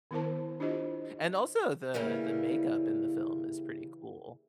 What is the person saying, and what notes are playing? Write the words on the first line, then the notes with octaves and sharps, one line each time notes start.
And also the the makeup in the film is pretty cool.
D#3 B3 E4 A#4 C5 A5
D4 E4 F4 G4 C5 D#5
C#3 E3 G3 A#3 C#4